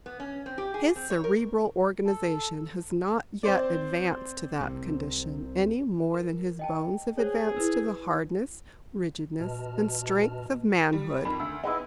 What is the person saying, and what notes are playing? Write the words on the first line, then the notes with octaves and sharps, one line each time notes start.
His cerebral organization has not yet advanced to that condition, any more than his bones have advanced to the hardness, rigidness, and strength of manhood.
B3
C#4
C4
G4
G#4
C4
C#5
A#4
A4
C4 C5 D5
C2 C3
A#4
D#5 G5 A5
G#4 C5 C#5
E4 B4 E6
A#2 F#4 B4 D#5 A5 F6
G3
F2 D#3 B5
D2 E6
B3 D#4 E4 G#4 B4